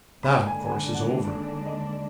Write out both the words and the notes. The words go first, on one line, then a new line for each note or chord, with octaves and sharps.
That, of course, is over.
D#2 D3 G#3 D4 B5
G#5
G#5
F#5
F#5
D#5
D5